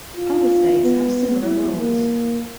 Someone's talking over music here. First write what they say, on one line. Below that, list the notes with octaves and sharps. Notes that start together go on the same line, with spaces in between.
Other states have similar rules.
F4
B3
E4
A#3